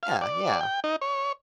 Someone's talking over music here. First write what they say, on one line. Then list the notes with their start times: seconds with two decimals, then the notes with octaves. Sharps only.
Yeah, yeah.
0.03 F5
0.22 D5
0.61 G5
0.84 D#4
1.01 C#5